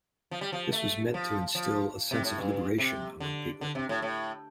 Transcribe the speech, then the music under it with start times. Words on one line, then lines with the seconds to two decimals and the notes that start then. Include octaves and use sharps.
This was meant to instill a sense of Liberation among people.
0.31 F3
0.41 G3
0.52 F3
0.73 A3
1.14 F3
1.55 F3
2.11 C3
2.24 A2
2.38 G2
2.78 C3
3.20 D3
3.61 D3
3.75 C3
3.89 A2
4.02 A2